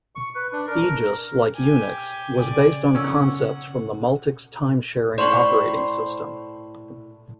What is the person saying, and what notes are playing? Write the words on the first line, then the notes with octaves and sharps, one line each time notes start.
Aegis, like Unix, was based on concepts from the Multics time sharing operating system.
C#6
B4
D4
A#4
G4 G#5
C#3 D5 G#5
C#4 F#5 E6
A2 C5 D5 C6 C#6